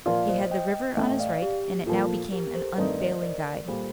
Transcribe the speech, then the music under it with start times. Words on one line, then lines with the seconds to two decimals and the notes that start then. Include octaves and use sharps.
He had the river on his right, and it now became an unfailing guide.
0.06 A#2 F3 A#3 F4 D5 F5
0.29 C5 D#5
0.51 D#5 G5
0.96 A1 A2 A3 D#5 G5
1.19 D5 F5
1.42 G4
1.87 A#2 F3 A#3 F4 A4
2.32 G4 A#4
2.55 A4 C5
2.77 G2 D#3 A3 C4 D#4 A#4 D5
3.00 C5 D#5
3.22 A#4 D5
3.68 A#2 G3 A4 C5